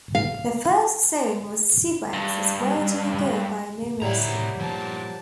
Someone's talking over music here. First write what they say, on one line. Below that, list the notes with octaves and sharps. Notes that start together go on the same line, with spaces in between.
The first song as "SuperX" was "Where Do You Go" by No Mercy.
F5
G2
C2 A2 F#3 G3 A#3 E4 A#5
G2 A#2 F3 A5